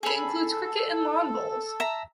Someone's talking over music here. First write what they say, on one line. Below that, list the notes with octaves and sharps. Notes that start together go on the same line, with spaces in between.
It includes cricket and lawn bowls.
G#4 A4 B5
E5 A5 A#5